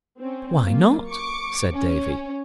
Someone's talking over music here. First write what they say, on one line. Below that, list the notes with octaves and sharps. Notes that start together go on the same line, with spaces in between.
"Why not?" said Davy.
C4 C#4
F#3 A#3 F4
C#6 D6 C#7
C#4